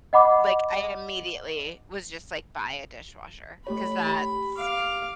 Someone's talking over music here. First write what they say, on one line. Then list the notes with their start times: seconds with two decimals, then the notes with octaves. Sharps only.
like, I immediately was just like, "Buy a dishwasher." 'Cause that's
0.13 D#5 F#5 B5 D6
3.67 A3 G4 C#5 B5
4.07 G4
4.57 F5 D6